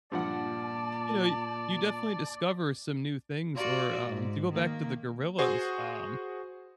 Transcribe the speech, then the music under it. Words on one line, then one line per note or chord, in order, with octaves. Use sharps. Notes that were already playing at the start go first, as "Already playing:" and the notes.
you know, y you definitely discover some new things. Or, um, to go back to the Gorillaz, um,
G2 A#2 F3 D5 F#5 A5
F4 F#4 D5
G#2
D#3 A#3
F#4 G#4 C5